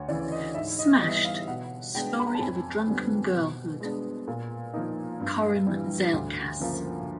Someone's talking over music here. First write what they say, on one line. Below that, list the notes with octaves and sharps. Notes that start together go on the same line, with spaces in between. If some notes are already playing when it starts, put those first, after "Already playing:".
"Smashed: Story of a Drunken Girlhood", Koren Zailckas.
Already playing: D2 C#5
C#3 E3 D5
D#5
G#2 E5
D#5
E3 G3 B3 D#5
E5
D#5
F5
B2 F#5
G#3 B3 D4 G5
B5
A#5
A5
F2 G#5
D3 G3 B3
B2
G#3 B3 D4
A#2
F3 A#3 D#4
G2
E3 G3
D2
C#3 F3 A#3